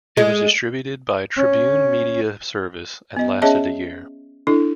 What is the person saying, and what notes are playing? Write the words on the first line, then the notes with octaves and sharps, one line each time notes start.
It was distributed by Tribune Media Service and lasted a year.
G#3
C#4
B3 D#5
C#4 G#4 C#5 D#5 E5 A5
D4 E4 A4